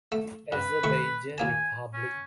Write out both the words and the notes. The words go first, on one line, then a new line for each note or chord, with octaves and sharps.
Azerbaijan Republic.
A3
G2 B4
D#3 A3 C#6
D#2 A#3 G#5 A5
C#4